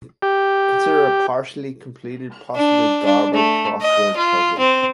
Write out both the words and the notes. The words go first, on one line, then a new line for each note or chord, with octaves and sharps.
Consider a partially completed, possibly garbled crossword puzzle.
G4
D4
D4
A3
D#5
F4
C4